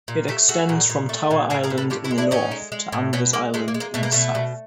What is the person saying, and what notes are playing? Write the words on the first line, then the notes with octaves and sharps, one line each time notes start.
It extends from Tower Island in the north to Anvers Island in the south.
A#2
A3 G4 A4
A3 F#4 G#4
A#2
A#2
A3
A#2
A2 G#4 A#4
G#4 A#4
A2
A4 B4
A2 F4 G4
E4 F#4
G#3
D4 E4
A2 C#4 D#4
G#3
G#3
A2
B2 B3 C#4
G#3 A#3
G#3 A3
A#3
G#3
A#3
B2 A3
A#3
B2 A3
B2